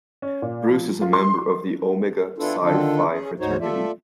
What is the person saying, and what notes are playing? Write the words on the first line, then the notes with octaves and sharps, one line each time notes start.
Bruce is a member of the Omega Psi Phi fraternity.
C#4
A#2
F3
F4
C6
C6
E3 B3 D4 E4 F4 A4
D3 D#3 D4 F4 A4
C#4 G#4
D2 G#2 D#4 F#4 C5 C#5
A3 F4 A4 D5 E5